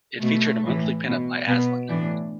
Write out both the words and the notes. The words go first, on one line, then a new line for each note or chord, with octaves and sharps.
It featured a monthly pin-up by Aslan.
B2 A3
A2 E3
B2
B2 B3
A2 E3 D4